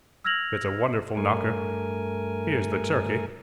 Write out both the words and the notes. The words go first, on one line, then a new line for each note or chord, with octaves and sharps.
It's a wonderful knocker!--Here's the turkey.
E6 F6 G#6 A#6 F7 F#7
G2 A3 A#4 G#5